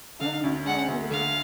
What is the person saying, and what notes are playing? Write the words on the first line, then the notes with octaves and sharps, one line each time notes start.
Oh, no.
D3 F5
D2
G#3 F#5
D2
D3 F5